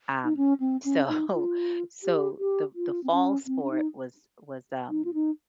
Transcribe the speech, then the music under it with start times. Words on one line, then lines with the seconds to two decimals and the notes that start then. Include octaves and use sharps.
Um, so so the the fall sport was was, um
0.24 D#4
0.37 C#4
0.60 C4
0.84 C#4
1.08 D#4
1.32 F4
2.03 G4
2.39 G4
2.75 F4
3.04 C4
3.11 C#4
3.46 C4
3.62 C#4
3.70 D#4
4.90 D#4
5.05 F4
5.14 D#4